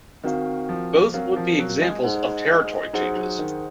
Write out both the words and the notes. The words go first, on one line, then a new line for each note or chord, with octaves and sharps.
Both would be examples of territory changes.
D#3 C4 F#4 A#4 F5
F3
F#3 C4 F#4 A#4 F5
F3
F#3
G#3
D#4 G#4 C5 F#5
F#3 D#4 G#4 C5 F#5
F#3
D#3